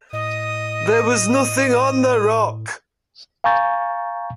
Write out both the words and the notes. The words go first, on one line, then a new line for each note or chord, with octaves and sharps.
There was nothing on the rock.
A2 D#5 D#6
F5 G#5 A#5 C#6 G6 A6